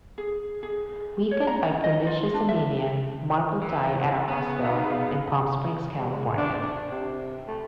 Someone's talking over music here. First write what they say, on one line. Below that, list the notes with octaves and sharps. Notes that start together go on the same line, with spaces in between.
Weakened by pernicious anaemia, Marble died at a hospital in Palm Springs, California.
G#4
G#4
C#5
A#5
D#5
F4
D4
E5
E3
B3 G#4 A#5
F#3 D#4 G#4 E5 F5 A#5 B5
G3
G#3
D4
D4
C3
A3